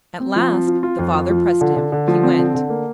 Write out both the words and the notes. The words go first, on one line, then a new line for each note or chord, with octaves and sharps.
At last--the father pressed him--he went.
C4
F3
C4
F4
F4
F2
F4
F3
F4
D3
D3
D3
F3
C4
D3
D3
A#3